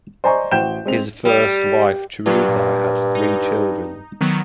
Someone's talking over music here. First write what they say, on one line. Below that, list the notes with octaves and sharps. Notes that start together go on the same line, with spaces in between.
His first wife Chiruthei had three children.
C5 D5 D#5 G#5 A#5 C#6
A1 F#4 C5 G5 G6 E7
G#3 C4 F7
G3
G2 F#3 F4
A#2
D#4
D#3 F#3 B3